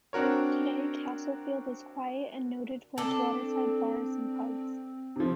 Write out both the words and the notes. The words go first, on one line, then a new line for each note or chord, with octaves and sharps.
Today, Castlefield is quiet and noted for its waterside bars and pubs.
C4 D4 F#4 A#4 C#5
C4 D4 A4
C3 F3